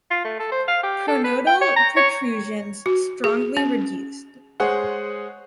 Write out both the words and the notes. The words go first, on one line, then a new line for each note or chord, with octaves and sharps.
Pronotal protrusions strongly reduced.
F4
A3
A4
C5
F5
G4
A4
B4
G5
C#5
A#5
C#5
F#4
G#4
C#4
G#3 G#4 C5 C#5 F#5